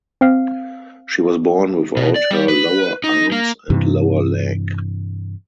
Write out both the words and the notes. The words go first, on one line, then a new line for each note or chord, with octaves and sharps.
She was born without her lower arms and lower leg.
C4 F5
B2
D5
G3
B4
D#4
A#3
G2 C3 E3